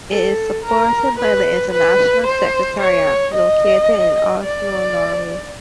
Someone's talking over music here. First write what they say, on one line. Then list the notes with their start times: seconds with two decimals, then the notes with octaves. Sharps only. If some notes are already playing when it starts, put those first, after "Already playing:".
It is supported by the international secretariat, located in Oslo, Norway.
0.10 A4
0.64 A#4
1.18 B4
1.73 B4
2.26 C5
2.80 C#5
3.34 D#5
4.43 D5